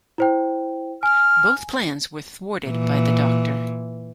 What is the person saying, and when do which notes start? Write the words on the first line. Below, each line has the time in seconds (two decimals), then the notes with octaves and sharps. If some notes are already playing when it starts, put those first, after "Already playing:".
Both plans were thwarted by the Doctor.
0.18 E4 C5 G5
1.03 G#5 F6
2.66 A#2 E3